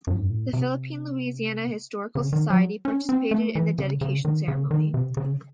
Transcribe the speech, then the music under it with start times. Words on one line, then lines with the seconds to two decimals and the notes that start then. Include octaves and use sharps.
The Philippine-Louisiana Historical Society participated in the dedication ceremony.
0.07 F#2
0.14 G#2
0.22 F#2
0.30 A2
0.53 C3
2.15 C#3
2.33 D#3
2.50 F#3
2.85 C#4
3.09 C4
3.31 A3
3.55 E3
3.78 C#3
4.01 C#3
4.25 D#3
4.48 C#3
4.71 D#3
4.94 C3
5.17 C#3